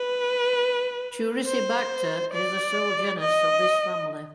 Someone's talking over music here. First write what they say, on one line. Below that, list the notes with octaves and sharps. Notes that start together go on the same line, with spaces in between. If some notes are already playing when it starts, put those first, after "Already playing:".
"Turicibacter" is the sole genus of this family.
Already playing: B4
C5
D5
D#5